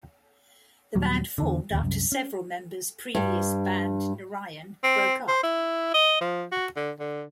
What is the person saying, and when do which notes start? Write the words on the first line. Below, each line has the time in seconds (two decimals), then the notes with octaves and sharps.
The band formed after several members previous band Narayan broke up.
0.95 D#2 A#2 F#3 G3
1.38 E2 D3
1.71 A1 D#2
1.84 C2 F#2
2.12 C#4
3.15 G2 G3
4.83 C4
5.28 C5
5.43 E4
5.94 D#5
6.21 F3
6.52 F#4
6.76 D3
6.99 D3